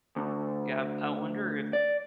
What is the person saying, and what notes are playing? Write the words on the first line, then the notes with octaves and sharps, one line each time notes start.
Yeah. I wonder if
D2
D5